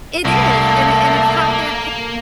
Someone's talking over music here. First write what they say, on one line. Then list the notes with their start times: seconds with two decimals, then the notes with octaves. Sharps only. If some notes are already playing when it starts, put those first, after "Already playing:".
It is, and it and it's how they're
0.25 C2 A3 A#3 A5